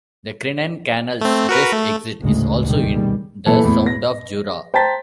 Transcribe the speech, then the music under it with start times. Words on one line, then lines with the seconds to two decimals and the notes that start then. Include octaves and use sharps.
The Crinan Canal's west exit is also in the Sound of Jura.
1.21 A3 C4
1.49 F#4 A#4 B4
1.72 A3
2.23 G#1 D2 A2 C#3 G#3
2.62 C#2 G2 B2 D#3 G3 G#3
3.46 A#2 E3 A4
3.64 E2 A2
3.86 A#6
4.74 C5 G5 A5 A#5 A6 B6